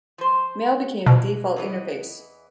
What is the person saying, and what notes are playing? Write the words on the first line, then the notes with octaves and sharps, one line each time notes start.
Mail became the default interface.
F3 C5
B2 E3 G#3
E2 E3 D#5